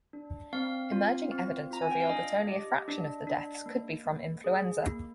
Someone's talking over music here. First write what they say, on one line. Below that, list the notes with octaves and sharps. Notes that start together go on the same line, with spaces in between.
Emerging evidence revealed that only a fraction of the deaths could be from influenza.
D4
C4 F5
F4
C4
F4 A#5
G#5
G5
F5
D4 D#5
G4
D4
D4
A#3
A#3
G#4
A#3